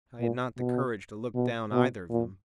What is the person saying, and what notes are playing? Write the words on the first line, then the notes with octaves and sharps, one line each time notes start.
I had not the courage to look down either of them.
A#2
B2
B2
B2
A#2